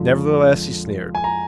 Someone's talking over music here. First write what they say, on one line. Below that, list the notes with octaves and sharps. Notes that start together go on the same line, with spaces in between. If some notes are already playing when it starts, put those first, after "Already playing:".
Nevertheless, he sneered.
Already playing: F2 D3 F3 G#3
G#5
A#5